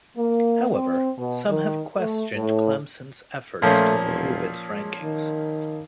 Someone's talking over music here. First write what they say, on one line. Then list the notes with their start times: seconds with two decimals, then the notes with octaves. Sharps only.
However, some have questioned Clemson's efforts to improve its rankings.
0.17 A#3
0.71 C4
1.18 B2
1.49 D#3
1.98 A3
2.35 A2
3.62 A#2 F3 A3 C#4
4.04 E1
4.70 G#3
5.02 D#3